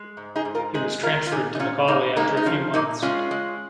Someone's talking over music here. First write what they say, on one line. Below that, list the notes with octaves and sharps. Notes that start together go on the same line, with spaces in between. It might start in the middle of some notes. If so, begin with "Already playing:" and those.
He was transferred to McAuley after a few months.
Already playing: G#3
G#2
D#4 G#4
G#2
F4 A#4
G#3 D#4 G#4
D#3 F4 A#4
F4
A#2 D#4 G#4
D#4
A#2 C#4 F4
A#2 A#3 D#4
G#3 A#3 D#4
D#4
F3 C#4
A#2 A#3 D#4
G#3 C#4 F4
G#3